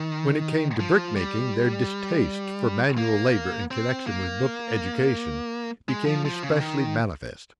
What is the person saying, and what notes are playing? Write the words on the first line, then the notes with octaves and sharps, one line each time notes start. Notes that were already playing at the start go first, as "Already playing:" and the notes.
When it came to brickmaking, their distaste for manual labour in connection with book education became especially manifest.
Already playing: D#3
F3
G3
A#3
C4
A#3
G#3
F3
F3
C#3
D#3